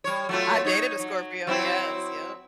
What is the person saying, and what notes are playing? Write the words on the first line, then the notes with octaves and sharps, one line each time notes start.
I've dated a Scorpio, yes, yep.
G3 C#5
F#3 A3 F4
D#4 C#5
F#3
F#3 C4 E4